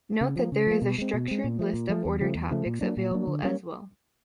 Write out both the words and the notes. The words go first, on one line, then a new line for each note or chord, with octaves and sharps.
Note that there is a structured list of order topics available as well.
C#3
F3 A#3
C#3
F3 A#3
B2
G#3 C4
B2
G#3 C4
A#2
F3 A3
A#2
F3 A3
E2
C#3 F3 A3
E2
C#3 F3 A3
A#2
F#3 A#3 D4
A#2
F#3 A#3 D4
D3
G3 A#3 C#4